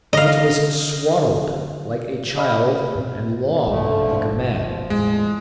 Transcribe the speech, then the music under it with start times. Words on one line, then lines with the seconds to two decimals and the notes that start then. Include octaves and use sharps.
It was swaddled like a child and long like a man.
0.13 D3 D#5 F5
2.38 D#5 B5 F6
2.95 G#2 B2 C4
3.67 B1 G2 A#2 D3 F3 A3
4.33 G1 F3
4.90 E2 A2 E3 G#3